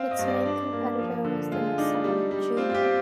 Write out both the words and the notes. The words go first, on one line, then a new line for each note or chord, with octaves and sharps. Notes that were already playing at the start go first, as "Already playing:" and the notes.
Its main competitor was the Nissan Junior.
Already playing: C4 F5
D#5
G2
D5
D4
A#3
F3
D3
G#3 F4
D4 D#4
G3
G3
C4 F4
F4
G4
C4